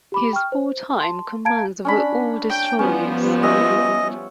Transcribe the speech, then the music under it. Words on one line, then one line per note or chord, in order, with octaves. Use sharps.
His wartime commands were all destroyers.
G4 B5 D6
G5 C#6 F6
C5
A5 C6
F5 A5 A#5 G#6 D7
C#4 D4 B5
G5
F3 G3 B3 C#4
C#4 D#5 E5 F#5